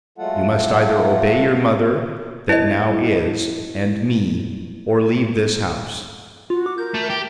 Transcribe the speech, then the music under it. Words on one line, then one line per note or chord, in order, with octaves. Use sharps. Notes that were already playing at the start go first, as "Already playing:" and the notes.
You must either obey your mother that now is, and me, or leave this house.
F#3 G#3 A3 F4 A4 F#5
E4 D#5
F4 F#4
D6
A#4 G6
A3
G4 G5